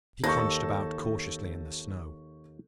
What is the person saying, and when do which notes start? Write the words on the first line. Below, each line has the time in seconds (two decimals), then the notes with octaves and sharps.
He crunched about cautiously in the snow.
0.24 D#2 A4 C#6 G6 A#6